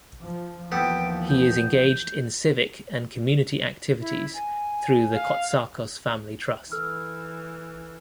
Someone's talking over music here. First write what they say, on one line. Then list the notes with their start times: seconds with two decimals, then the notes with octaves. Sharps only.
He is engaged in civic and community activities through the Cotsakos Family Trust.
0.21 F3
0.72 D#2 E3 F3 B3 G4 A4 G5
1.29 G6
4.00 E4
4.34 G#5
5.14 F5
6.72 E3 A4 E6 F6